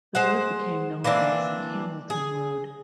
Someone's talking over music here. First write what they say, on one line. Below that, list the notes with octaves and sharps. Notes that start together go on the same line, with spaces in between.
The road became known as the Hamilton Road.
G#3 C5 F#5
E3 A#3 C4 D4
G#4